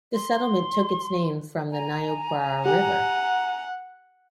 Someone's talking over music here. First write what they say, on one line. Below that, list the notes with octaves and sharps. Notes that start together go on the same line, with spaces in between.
The settlement took its name from the Niobrara River.
C6
G#5 A#5
G4 F#5